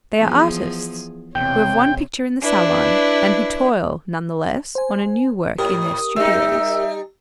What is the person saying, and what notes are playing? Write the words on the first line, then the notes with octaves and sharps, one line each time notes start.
They are artists, who have one picture in the salon, and who toil, none the less, on a new work in their studios.
E2 F3 G#4
E1 C3 C#5 G5
D4 E4 B4
C5 G#5
G#2 G4 A#4 D#6
G3 D#4 E5 E6